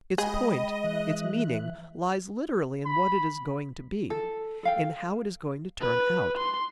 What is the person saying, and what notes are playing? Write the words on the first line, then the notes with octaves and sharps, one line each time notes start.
Its point, its meaning lies literally in what it is going to be, in how it is going to turn out.
G#3 G#4 D#5 G5 B5
E3 E5 F#6
B5
A4
A4 F5 G5
B4
C6